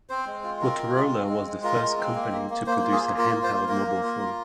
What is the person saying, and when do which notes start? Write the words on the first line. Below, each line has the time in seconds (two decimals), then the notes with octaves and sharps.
Motorola was the first company to produce a handheld mobile phone.
0.09 C4 C5
0.27 G#3
0.44 F4
0.61 C4 A#4
0.79 F4
0.96 G#3
1.13 C4
1.29 G#3
1.47 G#3
1.64 F4 A#4
1.81 G#3
1.98 C4
2.15 A#3
2.32 A#3
2.50 A#3
2.66 A#3 C5
2.84 F4
2.92 G#4
3.01 A#3
3.18 F4 A#4
3.35 F4
3.43 C5
3.52 A#3
3.68 A#3 A#4
3.87 A#3
4.03 F4
4.20 F4